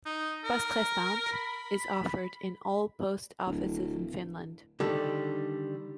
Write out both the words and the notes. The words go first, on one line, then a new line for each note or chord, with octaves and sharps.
"Poste restante" is offered in all post offices in Finland.
D#4
A#4
B5
D1
D3 D#3 G3 D4